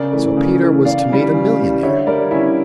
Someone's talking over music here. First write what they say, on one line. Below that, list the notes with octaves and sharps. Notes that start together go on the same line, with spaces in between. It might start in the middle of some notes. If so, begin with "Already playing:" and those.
So Peter was to meet a millionaire!
Already playing: C#3 A#4 D5
E3 A3
C#3
E3 A3
C#3 D5 F5
E3 G3
C#3
E3 G3
D3 C#5 E5
G3 A#4 D5
D3 C#4 E4